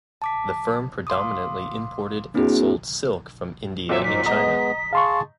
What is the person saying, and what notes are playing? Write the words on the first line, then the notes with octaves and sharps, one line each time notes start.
The firm predominantly imported and sold silk from India and China.
A5 D6 B6
F5 C6 D6 D#6
A#3 C4 D4 E4 F#4 G#4
F2 A#2 F3 F#3 E5
G#2 D#4 B6
G#3 B3 D#5 A#5
G#4 F5 A5 C6 C#6